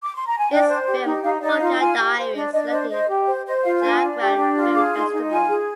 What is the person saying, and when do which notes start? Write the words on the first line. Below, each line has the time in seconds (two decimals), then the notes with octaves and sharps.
His film Vodka Diaries selected in Jagran Film Festival.
0.03 D6
0.15 C6
0.26 A#5
0.38 G#5
0.50 D4 G5
0.68 C5
0.86 G4
1.05 D#4
1.23 D#4 F5
1.42 D#4 D5
1.60 F4 F5
1.79 F4 G#5
1.98 G4
2.17 C5
2.35 D4 D#5
2.53 D4 D#5
2.71 C5 D#5
2.90 C5 D#5
3.08 G4
3.27 C5
3.46 C5 D#5
3.64 F4 F5
3.82 D4 G#5
4.02 D4
4.19 G4
4.38 D4
4.57 F4
4.75 G#4 D6
4.94 D#4 C6
5.11 D#4
5.31 F4 G#5
5.49 G#4